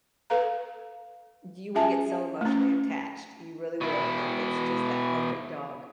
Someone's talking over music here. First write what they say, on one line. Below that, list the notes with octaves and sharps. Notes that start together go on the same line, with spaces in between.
you will get so emotionally attached, you really will, if it's just that perfect dog,
A4 B4 F5 A#5
C#4 F4 G#4 E5 G#5 A5
A3 C#4
B2 E4